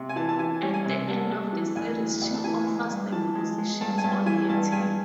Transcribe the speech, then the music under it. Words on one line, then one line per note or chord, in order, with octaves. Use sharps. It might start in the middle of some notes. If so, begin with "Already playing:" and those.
At the end of the series she offers them positions on her team.
Already playing: C3
G#5
E3 A5
A5
E3 G#5
G3
G#5
C3
G3 A5
G3
E3
D2 G#5
E3
D2
A5
E3 G#5
G#3
G2
E3 A5
G#3
G#3
G2 A5
G#5
G2 A5
E3 G#5
G2 A5
G2 G#5